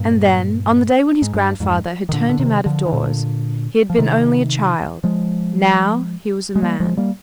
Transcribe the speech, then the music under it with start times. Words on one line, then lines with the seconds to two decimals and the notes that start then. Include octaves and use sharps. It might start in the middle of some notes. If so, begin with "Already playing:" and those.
And then, on the day when his grandfather had turned him out of doors, he had been only a child, now he was a man.
Already playing: G2 A#2
1.22 G#2
1.34 G2
1.60 F2 G#2
2.09 D#3
2.13 A#2 D3
2.29 D3
2.39 C3 D#3
2.66 D3 F3
2.86 D#3
2.93 A#2 D3
3.90 F3
3.98 C3 D#3
5.04 F3 G#3
6.56 G#3
6.62 G3 A#3
6.80 F3 G#3
6.97 G3 A#3